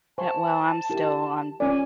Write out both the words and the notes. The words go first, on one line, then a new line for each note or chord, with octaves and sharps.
Yeah, well, I'm still on
C5 F5 G#5 A5 C#6
E4 G4 A#4
C#4 F4 A#4 D5 G#5